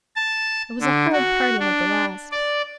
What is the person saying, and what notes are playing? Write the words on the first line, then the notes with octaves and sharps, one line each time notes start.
It was a hard parting at the last.
A5
D3
F#4
D4
D5